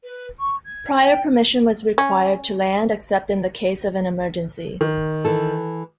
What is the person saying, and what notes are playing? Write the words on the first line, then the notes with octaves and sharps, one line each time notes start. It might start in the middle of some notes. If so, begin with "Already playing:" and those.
Prior permission was required to land except in the case of an emergency.
B4
C#6
G#6
G5
C#4
D#3
E3 A4